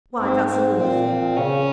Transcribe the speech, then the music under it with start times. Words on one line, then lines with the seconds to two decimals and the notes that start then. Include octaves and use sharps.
'Why, that's another thing.
0.20 G#2 C4
0.49 G#2 C4
0.78 A#2 C4
1.08 A#2
1.37 C#3 C#4